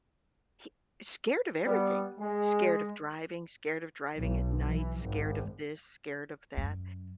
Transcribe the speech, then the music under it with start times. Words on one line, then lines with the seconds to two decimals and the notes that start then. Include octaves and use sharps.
hi scared of everything. Scared of driving, scared of driving at night, scared of this, scared of that,
1.66 G3 B3
2.18 G#3
4.16 B1
4.67 E3
5.02 G#1
6.57 F#2